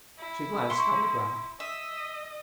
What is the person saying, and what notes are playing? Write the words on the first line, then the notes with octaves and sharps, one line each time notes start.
She glanced on the ground.
E4
C6 C#6
D#5 E5